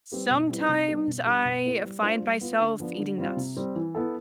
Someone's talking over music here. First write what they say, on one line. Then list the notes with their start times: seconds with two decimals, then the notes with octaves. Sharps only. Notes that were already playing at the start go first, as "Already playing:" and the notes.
Sometimes, I find myself eating nuts,
0.12 G3 C4 G4 B4
0.30 B2
0.50 G3 C4 E4 B4
0.69 C3
0.88 G3 B3 D4 G4
1.07 B2
1.26 G3 B3 D4 G4
1.45 B2
1.64 B3 E4 G4 C5
1.84 G3
2.03 D4 F4 C5
2.22 G3
2.41 B3 F4
2.60 D3
2.80 F3 B3 D4
2.99 D3
3.18 G3 C4 F4
3.37 C3
3.57 G3 C4
3.75 E3
3.95 B3 E4 A4